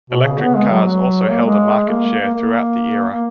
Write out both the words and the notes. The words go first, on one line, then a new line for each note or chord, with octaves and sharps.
Electric cars also held a market share throughout the era.
B2
C#3
B3
G#3
F#3
A#3
G#3
A#3
A#3
A#3
A#3